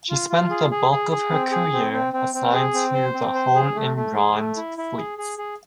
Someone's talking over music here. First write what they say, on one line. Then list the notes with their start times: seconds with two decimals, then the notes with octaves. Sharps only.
She spent the bulk of her career assigned to the Home and Grand Fleets.
0.10 F4
0.29 F4
0.50 G#4
0.71 G#4
0.91 G#4
1.11 G#4
1.32 C4
1.52 G#4
1.73 C4
1.93 C4
2.13 C4
2.34 C4
2.53 G#4
2.74 C4
2.94 C5
3.15 C4
3.35 C5
3.55 G#4
3.76 A3
3.96 A3
4.17 G#4
4.37 A3
4.57 E4
4.78 E4
4.97 G#4
5.18 G#4
5.38 G#4